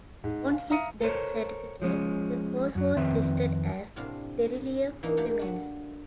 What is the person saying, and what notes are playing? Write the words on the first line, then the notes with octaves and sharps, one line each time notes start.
On his death certificate, the cause was listed as delirium tremens.
G#2
F5
E5 F5 A#5 D#6 C#7 D#7
A4 A#4 C5 C#5
F3 G#3 B3 C#4
F#2 F#3
F2 D#3 C4 B4 E5
A2 C3 C4 D4 F5
E3 A#3 D4 D#4
A3 A#3 G4 F#5 G5
D4 F#4